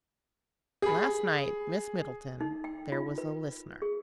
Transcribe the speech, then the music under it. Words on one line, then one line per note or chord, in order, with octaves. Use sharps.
"Last night, Miss Middleton, there was a listener."
G#4 B5
D#4
G5
F4
B4
G#4